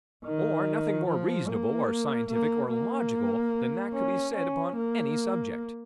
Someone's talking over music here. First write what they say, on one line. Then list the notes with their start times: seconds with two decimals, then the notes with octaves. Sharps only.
Or nothing more reasonable or scientific or logical than that could be said upon any subject.
0.24 D#3
1.07 F3
1.48 A#3
2.30 A#3
2.71 A#3
3.94 C#4
4.34 C#4
4.76 A#3